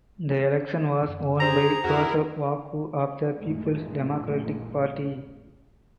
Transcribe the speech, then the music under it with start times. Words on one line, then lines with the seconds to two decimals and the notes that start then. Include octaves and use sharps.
The election was won by Joseph Waku of the Peoples Democratic Party.
1.08 F#2
1.40 G4 G#4 C5 A#5
1.84 F2 E4 F#4 G#4 A#4
3.36 A1 F#2 A#2 G#3 A3